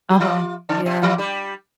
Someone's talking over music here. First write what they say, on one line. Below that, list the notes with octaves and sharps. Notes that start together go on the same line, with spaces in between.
Uh-huh, yeah.
G4
F3 F4
D3 D4
C3 C4
F3 F4
G3 G4